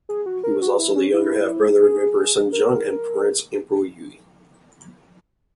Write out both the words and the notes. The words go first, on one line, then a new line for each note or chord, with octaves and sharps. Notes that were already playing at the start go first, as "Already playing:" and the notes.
He was also the younger half-brother of Emperor Sunjong and Prince Imperial Ui.
G#4
F#4
A#4
F#4
E4
C#4
E4
G#4
A#4